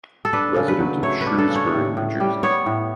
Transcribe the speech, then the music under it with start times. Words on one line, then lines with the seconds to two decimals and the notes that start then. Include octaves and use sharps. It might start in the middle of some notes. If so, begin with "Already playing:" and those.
Resident of Shrewsbury, New Jersey.
0.25 A4
0.33 D4 B4
0.56 C#3
0.68 B4
0.80 F#3
1.03 A3 C#5
1.21 B4
1.26 D4
1.38 A4
1.50 C#3
1.56 C#5
1.74 A2
1.97 A2
2.20 G3
2.43 B3 C#5
2.66 A2